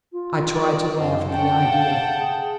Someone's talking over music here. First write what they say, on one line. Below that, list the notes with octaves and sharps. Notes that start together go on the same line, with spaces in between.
I tried to laugh at the idea.
F4
D5
F#2 C4 D#5
C#4 F#5 G5 A5
F5
G#4